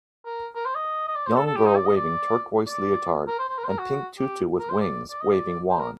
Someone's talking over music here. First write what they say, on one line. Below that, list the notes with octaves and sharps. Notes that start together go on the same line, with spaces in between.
Young girl waving turquiose leotard and pink tutu with wings waving wand.
A#4
A#4
C5
D#5
D#5
D5
C5
A4
A4
G4
D#4
D5
D#5
D5
D5
A#4
C5
C5
A#4
C5
A#4
F#4
G4
A#4
C5
D5
D5
D#5
D5
C5
A#4